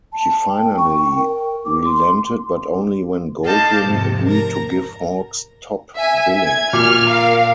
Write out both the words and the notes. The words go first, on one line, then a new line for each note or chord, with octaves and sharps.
He finally relented but only when Goldwyn agreed to give Hawks top billing.
A5
G5
C#6
G5
A#4
D6
C6
A4 D#5 F5 A5 D6 G6
F2 G#2 C3
A#4 A#5
E5 G#5
G#6
A#2 F6
A#4 F5